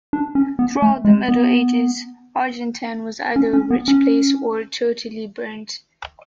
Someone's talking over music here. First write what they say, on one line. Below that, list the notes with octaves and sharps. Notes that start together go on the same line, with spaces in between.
Throughout the Middle Ages, Argentan was either a rich place or totally burnt.
D4
C#4
B3
A3
G#3
B3
C#4
C#4
B3
C#4